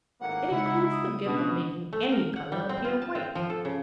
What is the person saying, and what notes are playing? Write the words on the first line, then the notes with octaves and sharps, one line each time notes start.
It includes the gift of making any color appear white.
G#1 A2 A#3 F#5
C#3 G#3 D#4 E4
D#6
B2 C#4 D4 B4
A3
A#4
F#5
G3
C4
F4
A5
C4
F3
A4
C#3